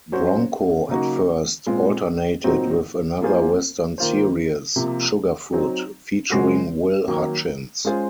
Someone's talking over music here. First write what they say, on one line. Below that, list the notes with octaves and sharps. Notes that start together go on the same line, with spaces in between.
"Bronco" at first alternated with another Western series, "Sugarfoot", featuring Will Hutchins.
F#3 C#4 F#4 C5
C#3 F#3 A#3 D#4 F#4
A#2 G#3 C4 F4
A#2 F#3 C4 D#4 F#4
F3 A#3 F4 G#4 C5
D#3 A#3 F4 C5
C3 F3 A#3
F#3 C4 D#4
C#3 F3 G#3 C4 F#4
D#3 F#3 A#3
G#3 C#4 F4 G#4 C5